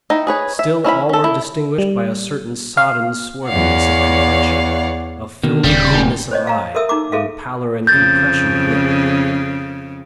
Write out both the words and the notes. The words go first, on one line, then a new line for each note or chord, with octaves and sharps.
Still all were distinguished by a certain sodden swarthiness of complexion, a filmy dimness of eye, and pallor and compression of lip.
D#4 E4 G5
G#4 B4 C#5
E5
C#4 E4 E5 B5
C#4 A4
E4
G3
F5
E2 C#5 D5 F5 F#5
B2 D#3 A#3
D#1 C#3 G3
A2 A#3 D#4
C5 C#5 D#5
F5 A#5
A4 A#4 E5 D#6 E6
D#4 A#5 D6
G#4 A4 E5 F5
F2 C#3 G6 A6